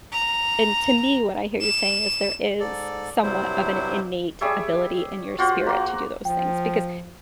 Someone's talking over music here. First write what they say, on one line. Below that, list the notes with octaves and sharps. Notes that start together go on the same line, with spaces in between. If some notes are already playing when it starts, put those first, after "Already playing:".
and to me, what I hear you saying is, there is somewhat of an innate ability in your spirit to do those things, because,
A#5
E7
G#2 A4 D5
G2 C3 F#3 G3 E4 C5
G3 G#4 C#5 E5
F4 F#4 C5
A#3 F#4
F3 G5